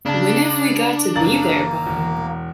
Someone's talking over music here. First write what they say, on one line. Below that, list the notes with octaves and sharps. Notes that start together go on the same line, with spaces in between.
When've we got to be there by?
C#3 D4 A5
F#1 A#3 A6 F#7
E1